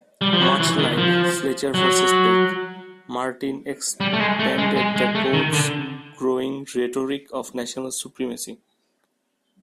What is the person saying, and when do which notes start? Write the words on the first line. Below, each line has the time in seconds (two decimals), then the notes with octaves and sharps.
Much like "Fletcher versus Peck", Martin expanded the Court's growing rhetoric of national supremacy.
0.22 G3
0.33 F3
0.42 F#3
0.60 E3
0.78 D#3
0.98 F3
1.74 F#3
4.00 G3
4.13 A3
4.20 G#3
4.39 A3
4.58 G#3
4.76 G#3
4.96 G#3
5.15 A3
5.33 D#3
5.53 D3